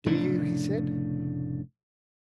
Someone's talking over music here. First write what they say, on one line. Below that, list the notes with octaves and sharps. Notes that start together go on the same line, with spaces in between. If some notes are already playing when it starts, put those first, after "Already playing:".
"Do you?" he said.
F1 A2 C#3 D4